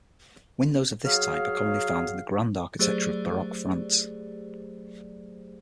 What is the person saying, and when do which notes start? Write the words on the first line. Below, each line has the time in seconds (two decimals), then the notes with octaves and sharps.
Windows of this type are commonly found in the grand architecture of Baroque France.
1.05 F#3 G#4 F5
2.79 F#3 A3 G4 G#4 C5 D5